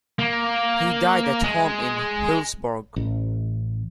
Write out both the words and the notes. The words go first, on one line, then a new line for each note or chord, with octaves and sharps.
He died at home in Hillsborough.
A#3
G#3
A1